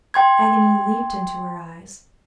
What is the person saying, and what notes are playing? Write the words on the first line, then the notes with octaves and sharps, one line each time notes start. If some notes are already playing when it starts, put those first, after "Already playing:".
Agony leaped into her eyes.
G5 C6 G#6